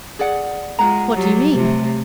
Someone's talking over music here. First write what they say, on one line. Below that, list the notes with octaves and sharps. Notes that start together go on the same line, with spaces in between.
"What do you mean?"
G#4 D5 F#5
G#3 F4 F#5 A#5
F#3 G3
C3 A3